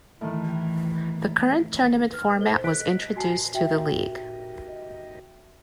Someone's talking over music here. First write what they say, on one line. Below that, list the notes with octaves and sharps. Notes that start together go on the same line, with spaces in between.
The current tournament format was introduced to the league.
A2 D#3 E3
B4 F6
A4 C5 D#5 G7
F#6 B6 D7
F#4 G#5 A5 C7
F#4 E5 G5